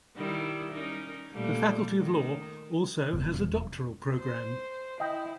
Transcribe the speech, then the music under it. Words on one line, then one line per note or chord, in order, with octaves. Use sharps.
The Faculty of law also has a doctoral program.
D#3 G3 E4
C#4 D#4 A#4
A#2 G3 A3
D#3
E1
C5
E4 D#5 G5